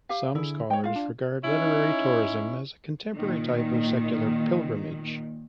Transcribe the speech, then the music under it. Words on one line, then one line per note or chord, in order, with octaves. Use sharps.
Some scholars regard literary tourism as a contemporary type of secular pilgrimage.
G4 F5
D3 E4 G#4
G#3 C#5 G5
F4 F5
D4
C#4 D#4 E4 C#5
A#2 D#3